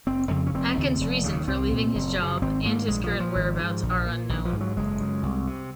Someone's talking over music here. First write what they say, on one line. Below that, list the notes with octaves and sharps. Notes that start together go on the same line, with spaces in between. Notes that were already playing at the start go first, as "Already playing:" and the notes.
Akins' reasons for leaving his job and his current whereabouts are unknown.
F#1 C4
F2 C#3 C4
C#4
F1 C4
D#2 C#3
F1
D#2 C#3
C2 C4
A#2
F#1
F#2 C#3
G#1 C4
G#2 A#3
A#1 G#3
F3
A#2
F3
G#1
G#2
A#1
A#2
A#1 D#3
F3
G#2
F#3
F#1 G#3
F#2 C#3
C2
C3